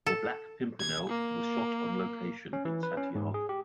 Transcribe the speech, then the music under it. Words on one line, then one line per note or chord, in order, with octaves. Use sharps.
"The Black Pimpernel" was shot on location in Santiago.
A4
G#6
A#3
C#4
E3
B4
C#4
G#2
G#4
G4